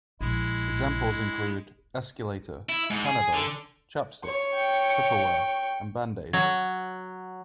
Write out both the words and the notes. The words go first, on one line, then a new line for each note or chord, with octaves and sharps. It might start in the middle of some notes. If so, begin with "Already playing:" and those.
Examples include "escalator", "panadol", "chapstick", "tupperware", and "bandaid".
A#1 G#3 E4
E4
G#2
G#4
D3
C#5 C#6
G5
F#3